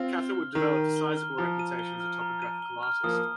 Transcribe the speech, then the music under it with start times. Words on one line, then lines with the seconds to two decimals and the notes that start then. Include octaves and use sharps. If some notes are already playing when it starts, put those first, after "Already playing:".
Catherwood developed a sizeable reputation as a topographical artist.
Already playing: C4 F4
0.14 G7
0.35 F6
0.55 D#3 A#5
0.76 D#7
0.96 G7
1.17 F6
1.38 F3 A#5
1.59 D#7
1.79 G7
2.00 F6
2.21 A#5
2.42 D#7
2.62 G7
2.83 F6
3.04 F3 A#3 D#6